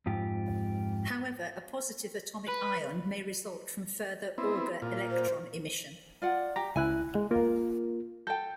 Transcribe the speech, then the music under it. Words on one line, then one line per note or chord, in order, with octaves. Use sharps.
However, a positive atomic ion may result from further Auger electron emission.
F2 G#2 F4 G4
B4
B3 C4 E4
A#2 F4
C5
F4 D5 F#5
G4 A#5
C#2 E4 G#5 F#6
G#3
A#3 F4 A#4
A4 G5 G6